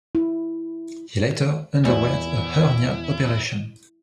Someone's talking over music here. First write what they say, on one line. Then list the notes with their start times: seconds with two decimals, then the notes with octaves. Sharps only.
He later underwent a hernia operation.
0.15 E4
1.85 E2 A3 E4 F#4